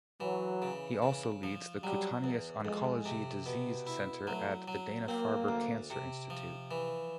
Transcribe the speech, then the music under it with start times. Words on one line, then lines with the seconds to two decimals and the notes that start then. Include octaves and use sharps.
He also leads the Cutaneous Oncology Disease Center at the Dana Farber Cancer Institute.
0.20 E3 F#3
0.62 C#3
1.02 C#3
1.43 F3
1.83 F#3 G3
2.24 E2
2.65 F2 G#3
3.05 C3
3.46 B2
3.87 E4
4.27 F#3 A3
4.68 F#3
5.08 A#3 C4
5.48 D2
5.90 C3
6.30 F3
6.71 E3